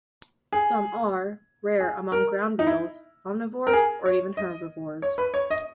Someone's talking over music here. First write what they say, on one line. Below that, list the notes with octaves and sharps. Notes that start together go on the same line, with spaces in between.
Some are, rare among ground beetles, omnivores or even herbivores.
G#4
G#4
A#4
D#4
E4
A#4
G#4
C#5
D#5
C#5
B4
C#5
D#5